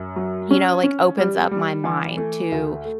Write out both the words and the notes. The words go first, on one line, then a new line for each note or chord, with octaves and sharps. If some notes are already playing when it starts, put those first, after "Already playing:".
you know, like, opens up my mind to
Already playing: F#2
F#3
C#4
C#4
G3
G3
E3
A3
D2
A3